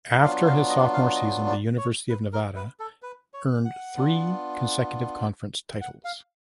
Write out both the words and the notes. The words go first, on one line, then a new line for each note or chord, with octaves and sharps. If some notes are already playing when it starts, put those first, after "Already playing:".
After his sophomore season, the University of Nevada earned three consecutive conference titles.
F#3 B3 D4 F4 F5
F5
D#5
F5
D#5
D5
C#5
B4
A#4
B4
A4
B4
C#5
F#5
B3 D4 F4
F#5
F5